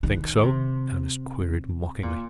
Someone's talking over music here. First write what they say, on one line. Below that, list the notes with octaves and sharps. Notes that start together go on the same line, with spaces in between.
"Think so?" Ernest queried mockingly.
D#3
C3
A#2